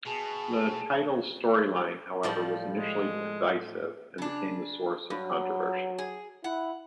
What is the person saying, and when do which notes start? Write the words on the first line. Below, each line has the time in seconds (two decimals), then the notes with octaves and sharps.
The title's storyline, however, was initially divisive and became the source of controversy.
0.06 B2 G#4 A5
2.23 A2 F3 G3
2.78 G#3
4.18 C#3 D4
5.10 G2 F#3
5.98 G#4
6.44 E4 F#5